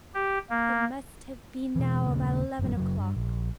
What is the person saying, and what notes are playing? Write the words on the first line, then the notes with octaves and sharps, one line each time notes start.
It must have been now about eleven o'clock.
G4
A#3
B2 E3
D#1 C#3 A#3
G1 F#2 A2
F#1 F#3
G2
A#1